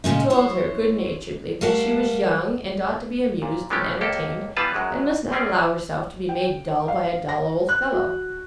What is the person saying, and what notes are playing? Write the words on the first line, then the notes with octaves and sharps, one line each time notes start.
He told her, good-naturedly, that she was young and ought to be amused and entertained, and must not allow herself to be made dull by a dull old fellow.
A#2 C#3 G#3 D#4
E4 C5 C#5
G3 A3 A#4 F5 F#5 A5
A#2
E3 G#3 A3 B3 C#4 G4
C#2 A#3 G4 A4
E3 G3 B3 F4 B4 A5
F#2 F#3 G#3
G3 C4 C#4 G#4
G5
F5
A#6
F#6
F#4